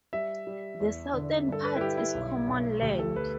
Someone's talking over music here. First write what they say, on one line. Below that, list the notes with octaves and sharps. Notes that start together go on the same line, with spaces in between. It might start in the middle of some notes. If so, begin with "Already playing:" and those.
The southern part is common land.
G3 E5
G3
E2
D3
G2 A4
B4
E4
G3 G4
E4
B1
B1
D2 G4
A4
B4